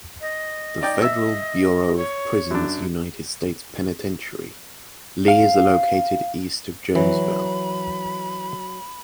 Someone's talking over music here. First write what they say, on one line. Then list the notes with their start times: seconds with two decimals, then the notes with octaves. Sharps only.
The Federal Bureau of Prisons United States Penitentiary, Lee is located east of Jonesville.
0.21 D#5
0.82 D#4 D5 G5
1.02 E5 E6
1.96 C#5
2.51 F#2 D4
5.28 F5
6.95 E3 F#3 B5